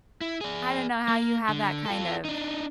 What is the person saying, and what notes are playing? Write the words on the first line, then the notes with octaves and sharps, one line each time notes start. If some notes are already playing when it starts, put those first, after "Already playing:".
I don't know how you have that kind of
E4
G#4 D5
A#3
D3
F4 A4
D4 D#4